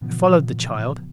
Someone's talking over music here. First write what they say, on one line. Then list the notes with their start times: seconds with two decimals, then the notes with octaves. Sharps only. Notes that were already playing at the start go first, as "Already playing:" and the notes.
I followed the child.
0.01 A#2 C#3 E3 F3 B3